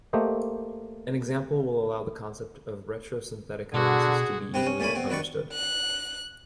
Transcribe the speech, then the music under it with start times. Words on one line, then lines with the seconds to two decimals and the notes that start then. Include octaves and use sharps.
An example will allow the concept of retrosynthetic analysis to be easily understood.
0.13 A3 A#3 G4 C5 D#5
3.74 B2 D3 F#4 G#4
4.54 C3 C4 G4 B4
4.66 C#4
4.80 A#2 A3 C#4 D5 G#5 B5
4.95 B2 C4
5.10 D#3 D4 B4 D5 C#6
5.52 F#6